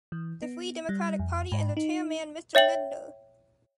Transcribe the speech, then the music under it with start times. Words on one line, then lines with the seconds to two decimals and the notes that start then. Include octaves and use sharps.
The free democratic party and their chairman Mr. Lindner.
0.12 E3
0.42 B3
0.89 G3
1.19 F2
1.52 G#2
1.77 D#4
2.55 C#5 E5 G5 F#7